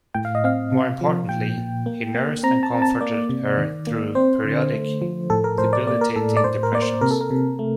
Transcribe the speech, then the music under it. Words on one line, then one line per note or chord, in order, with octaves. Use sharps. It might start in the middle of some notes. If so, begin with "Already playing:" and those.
More importantly, he nursed and comforted her through periodic debilitating depressions.
A2 G5
F5
D#5
C4 F5
C3
F3
A#2 G5
A#2
A#3
A#3
C4 A#5
A5
C4
A5
A#3 D5
C3
D#3
A#3
C4 C5
D3
A3
F3
A2 A4
A#4
A2 C5
D5
A#3 D5
A#4
A2 A4
D5
A2 C5
A#4
A#3 D5
C5
C3 A#4
A4
A#4
C3
A3